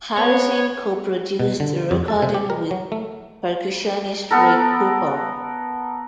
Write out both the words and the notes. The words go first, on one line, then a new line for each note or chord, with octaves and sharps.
Harrison co-produced the recording with percussionist Ray Cooper.
B3 C#5
B2
D3
F2
A4
C3
G4
A#4
F#3
A3
B3 A4 A#4